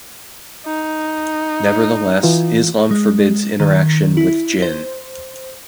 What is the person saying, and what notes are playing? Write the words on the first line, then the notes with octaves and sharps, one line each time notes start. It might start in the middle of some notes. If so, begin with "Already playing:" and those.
Nevertheless, Islam forbids interaction with Jinn.
D#4
E3 F4
G#3
D#3
E4
C5